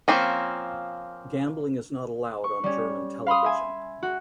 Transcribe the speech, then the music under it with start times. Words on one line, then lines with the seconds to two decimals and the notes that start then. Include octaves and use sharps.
Gambling is not allowed on German television.
0.08 F3 A#3 C4 C#4
2.44 C#6
2.64 G3 C#4
3.27 F5 B5 C6 D#6
3.44 E5 G#5
4.03 F#4